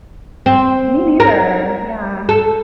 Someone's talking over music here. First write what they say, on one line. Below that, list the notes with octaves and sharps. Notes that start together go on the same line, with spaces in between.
Me neither, yeah.
C4
A#4
A4